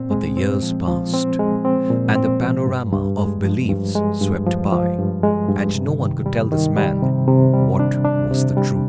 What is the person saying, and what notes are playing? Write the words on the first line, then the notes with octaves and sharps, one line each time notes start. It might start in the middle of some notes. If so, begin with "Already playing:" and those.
But the years passed, and the panorama of beliefs swept by, and no one could tell this man what was the Truth.
Already playing: A#2 C4
G#3
C4
F3
F3
C4
G#3
C4
A#2
C4
F3
G2
G2
G#3
F3
G2
G#3
G2
F3
F3
G2
G#3
G2
C3
D#3
G3
D#3
G3
C3
C3
G3
D4
D4
C3
G3